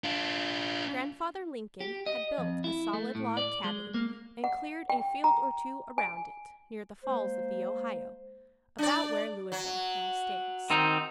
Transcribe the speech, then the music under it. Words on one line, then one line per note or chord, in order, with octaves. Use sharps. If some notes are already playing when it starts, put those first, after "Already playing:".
Grandfather Lincoln had built a solid log cabin and cleared a field or two around it, near the Falls of the Ohio, about where Louisville now stands.
D4 F4
G4
D#5
F2
E4
A3
A2
D5
G#3
A#3
F#5
G5
A#5
G#5
G#3 A#3 C5
D4 D5
F#3
D#3 C4 D#4